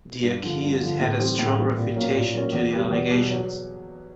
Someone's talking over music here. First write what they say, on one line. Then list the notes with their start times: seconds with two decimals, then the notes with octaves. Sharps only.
The accused had a strong refutation to the allegations.
0.23 G2
0.43 D3 F3
0.62 G2
0.80 D3 F3
1.00 A2
1.19 E3 G3 C4
1.39 A2
1.58 E3 G3 C4
1.77 A#2
1.96 F#3 A#3 C#4
2.15 A#2
2.34 F#3 A#3 C#4
2.53 E2
2.72 B2 G3
2.91 E2
3.11 B2 G3
3.30 F#3